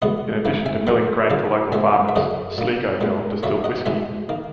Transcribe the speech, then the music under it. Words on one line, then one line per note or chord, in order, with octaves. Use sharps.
In addition to milling grain for local farmers, Sligo Mill distilled whiskey.
E2 B2 G#3 B3 D#5 F#5
G#2 E3 A#3
E5 G#5
E2 B2 F#3 F#5 A#5
C#3 F#3 A#3
A#2 G#3 B3 E5 G#5
E5
F#2 C#3 F#3 A#3 D#5 F#5
A#2 A#3
A#2 G#3 B3
E2 B2 A#3 C#5 E5
D#5 F#5
E2 B2 G#3 E5 G#5
D#3 A#3